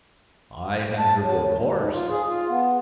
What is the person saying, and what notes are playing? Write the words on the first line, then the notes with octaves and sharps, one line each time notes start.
"I had her for a horse."
A5
F#3
D2
G#2
F4
G#4
F4
B3